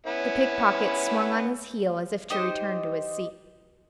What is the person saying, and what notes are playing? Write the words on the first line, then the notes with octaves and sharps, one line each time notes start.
The pickpocket swung on his heel as if to return to his seat.
B3 C#4 E4
D#4 G4 C5 D#5